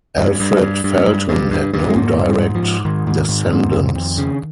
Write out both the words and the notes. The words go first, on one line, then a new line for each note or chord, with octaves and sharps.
Alfred Felton had no direct descendants.
G2
G2
G2
G2
G2
G2
G2
G2
G#3
G#2 A#3
G#2
G3
G#2
F3
G#2
G#2 D#3
G#2
G#2
G#2
F2
F2
C#3